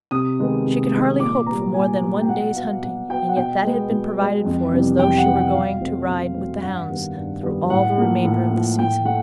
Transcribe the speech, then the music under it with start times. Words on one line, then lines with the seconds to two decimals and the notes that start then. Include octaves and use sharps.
She could hardly hope for more than one day's hunting and yet that had been provided for as though she were going to ride with the hounds through all the remainder of the season.
0.11 C3 D#6
0.39 D#3 G#3 B3
0.66 C3
0.93 D#3 G#3 B3
1.20 A#2 D6
1.46 B3 A#5
1.52 G3
1.74 A#2 G#5
2.02 G3 B3
2.21 G5
2.28 B2 F#5
2.55 F#3 B3 F5
2.82 B2 F#5
3.09 F#3 B3 G5
3.29 F#5
3.36 B2 G5
3.64 G#3 B3
3.90 B2
4.18 G#3 B3
4.45 F2
4.73 C3 E3 G3 B3
4.99 F2 G5
5.18 F#5
5.27 C3 E3 G3 B3
5.36 G5
5.54 B2 F5
5.81 F#3 A3 C4
6.08 B2
6.34 F#3 A3 C4
6.61 G2 F#5
6.90 D#3 G3 B3
7.17 G2
7.43 D#3 G3 B3
7.70 A2 F#5
7.98 F3 A#3
8.25 A2
8.51 F3 A#3
8.79 A2 G5
9.05 A3 F#5